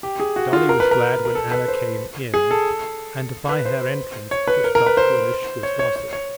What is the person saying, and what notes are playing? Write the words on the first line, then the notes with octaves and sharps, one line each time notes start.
Dolly was glad when Anna came in, and by her entrance put a stop to Annushka's gossip.
G4
G#4
F#4
F4
A#4
B4
A#4
A#4
A4
B4
C5
G#4
A4
B4
C5
C#5
B4
A#4
A#4
B4
C5
C#5
C#5
C#5
C#5